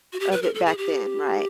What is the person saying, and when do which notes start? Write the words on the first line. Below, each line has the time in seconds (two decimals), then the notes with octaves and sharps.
Of it back then, right.
0.13 F#4
0.20 G4
0.31 B4
0.42 A#4
0.54 A4
0.66 G#4
0.77 G4